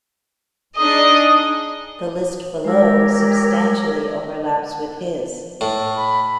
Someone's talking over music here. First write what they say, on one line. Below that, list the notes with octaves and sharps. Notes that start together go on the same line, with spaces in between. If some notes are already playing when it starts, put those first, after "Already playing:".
The list below substantially overlaps with his.
D4 D#4 G#4 D#5 D#6
G#3 G4 A#4 C#5 E6
A2
B5